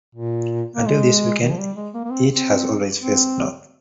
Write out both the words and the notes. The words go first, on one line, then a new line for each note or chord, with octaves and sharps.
Until this weekend, it has always faced north.
A#2
A#3
G#3
D#3
F3
G3
G#3
A#3
A#3
C4
C4
C4